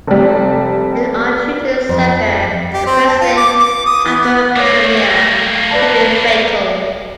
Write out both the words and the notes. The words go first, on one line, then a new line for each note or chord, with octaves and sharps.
An untreated severe and persistent hypoglycemia can be fatal.
F1 G3
F2
G4
C4
A5
F4
D6
D6
D#6
E3
B3
A3 A#3 C#5 D6
B4 D5 A5